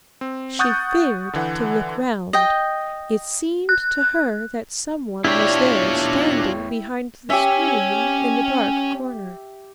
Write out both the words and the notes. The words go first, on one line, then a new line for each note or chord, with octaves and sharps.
She feared to look round, it seemed to her that someone was there standing behind the screen in the dark corner.
C4
F#5 C#6 D#6 F#6 G6 A6
D3 E3 F#5
D#5 G5
F#6
E2 D4 E4 F4 G4 C#5 D5
C#4 G4 C#5 E5 G#5